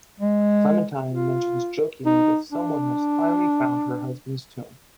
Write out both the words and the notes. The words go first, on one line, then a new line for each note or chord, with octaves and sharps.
Clementine mentions jokingly that someone has finally found her husband's tomb.
G#3
F4
D#4
D4